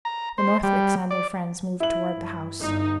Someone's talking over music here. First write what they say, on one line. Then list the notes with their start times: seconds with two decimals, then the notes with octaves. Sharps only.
The Northwicks and their friends moved toward the house.
0.05 A#5
0.38 C5
0.63 G3
1.11 D5
1.80 E4 F#7
2.15 G2
2.61 G1 G2 D#4